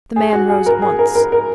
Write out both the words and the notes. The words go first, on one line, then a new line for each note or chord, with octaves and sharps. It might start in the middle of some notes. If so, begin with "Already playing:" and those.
The man rose at once.
G#4
F#4
G#4
A#4
G#4
A#4
A#4
A#4